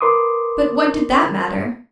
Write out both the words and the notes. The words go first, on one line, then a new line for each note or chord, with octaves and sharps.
But what did that matter?
A#4 B4 C6 D6 D#6